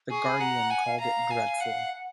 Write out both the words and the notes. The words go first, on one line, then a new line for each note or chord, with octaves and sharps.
The "Guardian" called it "dreadful".
G#4 C#6
B5
F#5 A#5
F#5 G#5
F5
F5 A#5
G#5
F#5
F#5